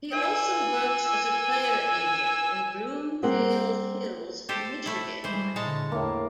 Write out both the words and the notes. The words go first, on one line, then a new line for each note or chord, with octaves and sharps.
He also works as a player agent in Bloomfield Hills, Michigan.
G#5 E6
G3 A#3 C4 G#4 F#5
G4 A4 C5
A3 E4
E3 G3 G#3 C5
A#2 D3 G#3 C#5 A5
E2 A2 A#3